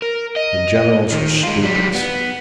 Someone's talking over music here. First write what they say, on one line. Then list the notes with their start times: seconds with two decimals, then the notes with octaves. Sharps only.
The generals were stupids.
0.02 A#4
0.36 D#5
1.12 D#3
1.43 G#3 F4
1.63 F#3 G3
1.95 B3